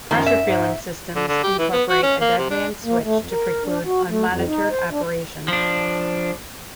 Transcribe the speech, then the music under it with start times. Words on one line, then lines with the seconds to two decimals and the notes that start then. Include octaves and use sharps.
Pressure fueling systems incorporate a dead man's switch to preclude unmonitored operation.
0.11 F#2 D#3 F3
0.26 E5
0.44 G#2
1.16 D3
1.28 D3
1.43 G4
1.59 E3
1.72 B3
1.89 F#4
2.03 C#4
2.21 A#3
2.38 C3
2.51 D4
2.84 A#3
3.04 A3
3.19 F2
3.31 A#4
3.64 D4
3.85 F#4
4.09 A3
4.28 F2
4.47 D#4
4.70 C5
4.90 D4
5.48 F3 D4